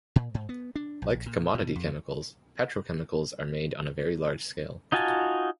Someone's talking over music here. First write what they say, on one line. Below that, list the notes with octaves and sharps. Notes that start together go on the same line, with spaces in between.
Like commodity chemicals, petrochemicals are made on a very large scale.
A#2
G#2
B3
D4
A#1
A#2
B2
F2
D#4 F4 F#4 G#5 A5